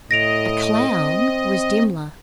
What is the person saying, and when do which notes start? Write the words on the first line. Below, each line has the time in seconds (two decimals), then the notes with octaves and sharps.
A clown was Dimmler.
0.11 A2 D#5 A#6 D7 F7
0.89 C4